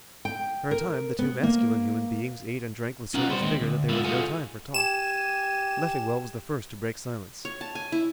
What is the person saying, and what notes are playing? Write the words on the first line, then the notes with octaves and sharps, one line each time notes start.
For a time the two masculine human beings ate and drank with so much vigor that there was no time for talk. Leffingwell was the first to break silence.
G5
A#4
B3
A#3
C#4 D#4 F4 A#4 F5 F#5
G3 B3 C5
D#2 G#3 C4
D2
G#3 B3 E4 F4
F4 G#4 A4 F5 F#5 G#5
G4 G#5 E7
C#5
A5
G#5
E4